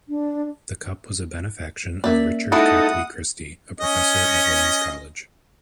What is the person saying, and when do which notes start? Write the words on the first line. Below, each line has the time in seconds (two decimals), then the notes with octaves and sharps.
The cup was a benefaction of Richard Copley Christie, a professor at Owens College.
0.09 D4
2.04 A#3 C#4 A#4 D5 E5
2.52 G#3 D#4 E4 F#4 A4 F#5 D#6
3.80 C#4 D#5